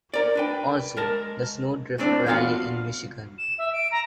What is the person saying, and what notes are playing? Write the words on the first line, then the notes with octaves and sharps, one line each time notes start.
Also, the Sno Drift Rally in Michigan.
A#4 D5
D4 B4 G5
G#3 A#4 A5 A#5
A2 A3 C4 D4 D5
E2 B3 F4 F#4 F5 F#5
E7
E5
D7
A#5